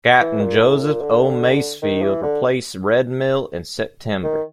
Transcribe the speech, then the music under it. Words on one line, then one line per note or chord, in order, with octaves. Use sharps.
Captain Joseph O. Masefield replaced Redmill in September.
E3
A#2
A2
A#2
D3
D#3
E3
D3
D#3